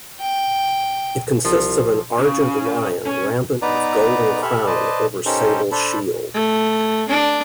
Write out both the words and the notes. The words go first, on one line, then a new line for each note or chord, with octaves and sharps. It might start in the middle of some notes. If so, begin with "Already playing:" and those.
It consists of an argent lion rampant with golden crown over sable shield.
G5
C2 F3
C#3
C#4
B3 D#4 B4 D5 A#5
G4 A4 E5 B5 F6
B4 C5 D5 D#5 A5
C#4 D#4 G4 A4 A#4 C5
D4 A4 C5 B5
A3
D4